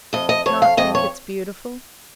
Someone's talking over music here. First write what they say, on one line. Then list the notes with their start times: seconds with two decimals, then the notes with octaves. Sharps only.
"Not think it beautiful?"
0.13 F2 D#5
0.29 D#5
0.46 F2 C#5
0.62 F5
0.77 F2 D#5
0.95 C#5